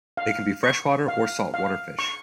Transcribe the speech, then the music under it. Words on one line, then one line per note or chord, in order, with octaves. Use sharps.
They can be freshwater or saltwater fish.
F5
C#6
F5
F5
C#6